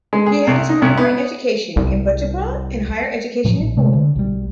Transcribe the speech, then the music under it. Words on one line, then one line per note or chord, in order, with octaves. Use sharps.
He had his primary education in Bijapur and higher education in Pune.
G#3
G#4
C2
D#4
C2
B3
C2
A2 F3 F#3
A#1
C3 G#3 A3
D3
B1 G3